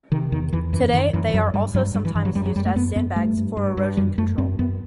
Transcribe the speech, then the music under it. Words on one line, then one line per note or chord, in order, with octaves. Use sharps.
Today they are also sometimes used as sandbags for erosion control.
C3 D#3
E2 D#3
E2 E3
F#2 E3
F#2 D#3
F#2 E3
E3
F#2 F#3
G2 G3
G2 F#3
G2 G3
E3
G2 E3
F#3
F#2 G3
F#3
F#2 G3
A3
F#2 B3
F#2 B3
G2 A3
G2
G2
G2
F#2 G3
F#2 A3
F#2 C4
F#2 B3